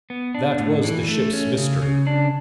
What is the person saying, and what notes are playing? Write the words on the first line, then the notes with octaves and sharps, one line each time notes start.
That was the ship's mystery.
B3
D4
A2
E3
A3
C#4
C#3
C#3
D4